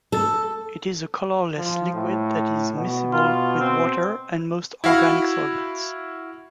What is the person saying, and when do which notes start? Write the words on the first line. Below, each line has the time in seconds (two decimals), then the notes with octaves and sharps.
It is a colourless liquid that is miscible with water and most organic solvents.
0.12 A4
1.57 F3
1.94 A2
2.77 B2
3.13 F4
3.60 C4
4.84 E4 F#4 F5